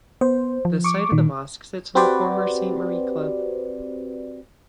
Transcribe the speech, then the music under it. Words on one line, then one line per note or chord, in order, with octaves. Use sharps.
The site of the mosque sits on the former Saint Marie Club.
B3 C5
F3
C#6 D6
A#2 D#3
C4 F#4 G4 B4 C5 D5